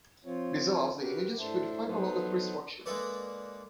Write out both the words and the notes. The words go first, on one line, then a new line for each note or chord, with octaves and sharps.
This allows the images to be defined along a tree structure.
F3 C4 F4 C#5
F#4 G4 A#4 B4
A2 D4 A4 C5 E5
F#3 B3 D#4 A4 B4 C5
G#3 A#3 D4 A4 B4 D5